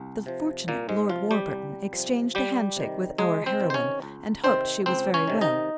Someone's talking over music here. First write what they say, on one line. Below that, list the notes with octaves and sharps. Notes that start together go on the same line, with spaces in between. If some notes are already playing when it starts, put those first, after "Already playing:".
The fortunate Lord Warburton exchanged a handshake with our heroine and hoped she was very well.
Already playing: C2
C3 F3
C2 A#2 A#3
G#2 G#3
C3 F3 F4
G3 G4
C2
C3 F3
C#2 G3 G4
C3 D#3
C#2 G#3 G#4
C4 C5
C3 D#3
C5
C#4 C#5
C#2
C3 D#3 C4 C5
C#2 C4 C5
C#4 C#5
C3 D#3
D#4 D#5